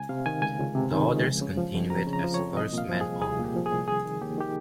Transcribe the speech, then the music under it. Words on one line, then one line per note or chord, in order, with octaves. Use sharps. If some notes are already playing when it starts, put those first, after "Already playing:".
The others continued as First Man Over.
Already playing: C#2 G#5
C3 F5
D#3 G#5
C#2 G#5
C#2
C3
D#3
C#2
F2
C#3
F3
F2
F2 A#5
C#3
A#5
F3
C#5
F2
C2 D#5
A#2
F5
F3
G#4
C2
C2 G#4
A#2
G4
F3
G#4
C2
D#2 G#4
D#3
D#2 G4
D#3 G4